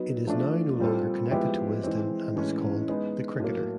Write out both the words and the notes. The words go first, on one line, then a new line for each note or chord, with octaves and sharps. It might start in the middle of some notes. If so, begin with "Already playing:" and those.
It is now no longer connected to Wisden and is called "The Cricketer".
Already playing: F#3 B3 D#4
F3 A3 D4
A#2 G3 C4 F4 A4
F3 G#3 B3 E4 G4
E3 G#3 C4
A2 E3 G#3 C#4
G#3 B3 D#4
A2 F#3 A#3